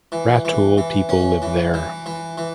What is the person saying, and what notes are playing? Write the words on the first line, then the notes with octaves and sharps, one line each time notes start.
Rutul people live there.
E3
E3
E3
C#4
E3
E3
E3
E3